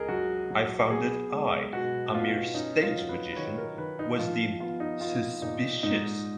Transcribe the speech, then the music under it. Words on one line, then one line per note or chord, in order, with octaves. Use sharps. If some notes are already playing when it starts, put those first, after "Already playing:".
I found that I, a mere stage magician, was deemed "suspicious"!
Already playing: C#2 G#4 A#4 D#5
F#3 F#4
F#3
B3 G#4
G#3
B2 F#4
B2 F4
C#4 D#4
F4
F#3
B4
B4
D#3 C#5
A#4
D#3 B4
D#4
F3 F4
B3 F4
D#4
B3 F4
A#2 D#4
G#2 D#4